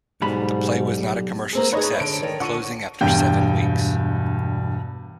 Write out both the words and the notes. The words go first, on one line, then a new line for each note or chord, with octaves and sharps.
The play was not a commercial success, closing after seven weeks.
B1 G#2 G3 B5
A#3 C4 G#4
D#4 G#4 B4 C#5 D#5
D3 D7
D#3 C#5 D5
D3 F4 F#5 C#6 D#7
E1 G2 G5